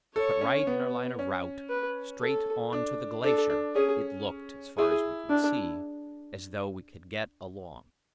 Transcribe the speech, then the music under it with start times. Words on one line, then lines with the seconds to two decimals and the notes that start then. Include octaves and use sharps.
But right in our line of route -- straight on to the glacier -- it looked, as far as we could see, as though we could get along.
0.16 A4 C#5
0.41 C#4
0.67 B3
1.19 C#4
1.69 B4
2.21 A4
2.73 D4
3.24 D4 A4
3.50 D4
3.75 C#4 G#4
4.78 E4 G#4
5.30 D4